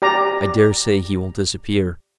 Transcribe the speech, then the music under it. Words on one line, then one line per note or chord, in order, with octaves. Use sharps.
I daresay he will disappear.
G4 D5 A#5